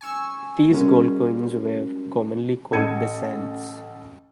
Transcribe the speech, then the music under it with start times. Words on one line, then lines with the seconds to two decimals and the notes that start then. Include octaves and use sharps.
These gold coins were commonly called bezants.
0.01 G#5 C#6 E6
0.71 G3 G#3 C#4 E4 F#4 A#4
2.72 A1 A4 A5 G#6 C#7 D#7